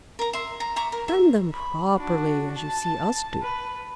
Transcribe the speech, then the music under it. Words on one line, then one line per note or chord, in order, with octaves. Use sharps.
Bend them properly, as you see us do.
A#4 A#5
E5 C6
A#5
E5 A#5 C#6 D6
A#4
E5
B5
D4 F#4
A5
B4